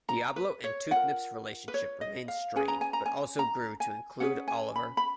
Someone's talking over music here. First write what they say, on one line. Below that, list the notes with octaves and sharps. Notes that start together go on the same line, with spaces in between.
Diablo and Toothgnip's relationship remained strained but also grew to include Oliver.
A#5
B4
C#5
F4 A#4 F#5
B4
C#5
D#5
F5
C#4 G#4 B4 G#5
A#5
G#5
A#5
G#5
A#5
G#5
C#4 G#4 B4 F#5
G#5
B5
B5